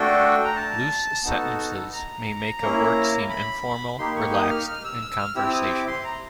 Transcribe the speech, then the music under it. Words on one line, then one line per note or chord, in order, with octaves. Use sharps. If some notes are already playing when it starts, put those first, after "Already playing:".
Loose sentences may make a work seem informal, relaxed, and conversational.
Already playing: A3 D4 F#4 A4 G5
A#5
A5
B3 D#4 F#4 A4
A#5
A#3 C#4 E4
B5
A#3 D#4 G4 C6
C#6
D#6
F6
F6
E6
E6
F6
C4 E4 G4 E6
D#6
D6
C6
A#5